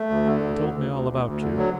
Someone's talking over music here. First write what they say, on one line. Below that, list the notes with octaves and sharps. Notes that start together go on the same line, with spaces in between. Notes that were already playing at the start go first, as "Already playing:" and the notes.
He told me all about you....
Already playing: A3
D2
D3
D2
D2
D2
D2
D2
D2
D3
F#3